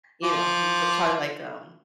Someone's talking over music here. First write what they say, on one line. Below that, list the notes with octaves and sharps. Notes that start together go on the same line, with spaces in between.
you know, we just try to, like, um,
F3 D6